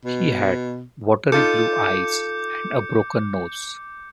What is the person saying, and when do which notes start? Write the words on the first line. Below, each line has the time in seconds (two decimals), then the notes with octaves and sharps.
He had watery blue eyes and a broken nose.
0.05 B2
1.32 D#4 F4 A4 D6 G6 C#7